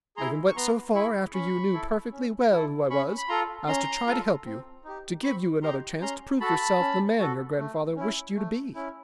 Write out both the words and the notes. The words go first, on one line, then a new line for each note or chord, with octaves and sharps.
I even went so far, after you knew perfectly well who I was, as to try to help you—to give you another chance to prove yourself the man your grandfather wished you to be.
E4 G#4 A#5 C6
C#6
B3 A#5 C6
E4 G#4 B5 C#6
C#4 B5 C#6
E4 A4
C#4
E4 A4
C#4 B5 C#6
B5
F4 A4 A#5 C6
C#4 A#5 C6
F4 A4
C4
D#4 G4
C4 B5 C#6
D#4 G4 A#5 C6
C#4 A#5 C6
F#4 A4 A5 B5
C#4
F#4 A4
A3
C#4 E4
A3
C#4 E4